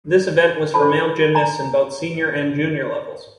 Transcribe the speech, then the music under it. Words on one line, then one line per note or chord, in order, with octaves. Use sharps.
This event was for male gymnasts in both senior and junior levels.
D4 F4 A4 C5 A5 B5
G#5 A#5